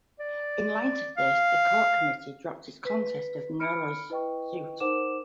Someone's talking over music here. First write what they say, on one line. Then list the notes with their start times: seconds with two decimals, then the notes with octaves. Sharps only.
In light of this, the court committee dropped its contest of Nolo's suit.
0.20 D5
1.17 F5
2.85 B4 B6
3.59 B5 F6 C#7 D7
4.10 E4 B4 D#5 G5 C#6
4.80 D#4 A#4 C5 F#5 D6 E7